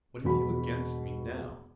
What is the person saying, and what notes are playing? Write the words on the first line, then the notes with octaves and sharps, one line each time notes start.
What have you against me now?
E1 B2 B5